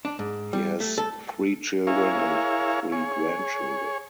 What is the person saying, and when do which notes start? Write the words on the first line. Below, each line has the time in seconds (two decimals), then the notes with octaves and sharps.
He has three children and three grandchildren.
0.05 D4
0.19 G#2
0.53 G3
0.80 A3
0.98 A4
1.87 E4 G#4 A#4 C#5 F5
2.92 G#4 C#5